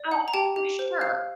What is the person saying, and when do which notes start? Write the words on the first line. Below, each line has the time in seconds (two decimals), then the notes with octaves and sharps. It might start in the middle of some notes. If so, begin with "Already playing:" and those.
Oh, for sure.
Already playing: D5
0.11 F#5
0.28 A#5
0.34 G4 G5 A5
0.56 G4
0.79 C5
1.01 F5